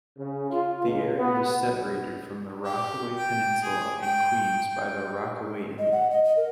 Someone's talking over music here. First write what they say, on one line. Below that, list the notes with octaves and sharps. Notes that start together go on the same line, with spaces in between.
The area is separated from the Rockaway Peninsula in Queens by the Rockaway Inlet.
C#3
F4
C#2
B3
B1
G4
G5
G#4
G5
D#5
F#5
D#5
D#5
A#4